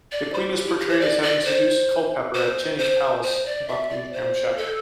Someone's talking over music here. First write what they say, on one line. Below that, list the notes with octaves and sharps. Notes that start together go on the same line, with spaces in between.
The Queen was portrayed as having seduced Culpeper at Chenies Palace in Buckinghamshire.
D5
C5
G4
E4
G4
C5
D5
D5
C5
C5
C5
C5
D5
E5
D5
C5
A4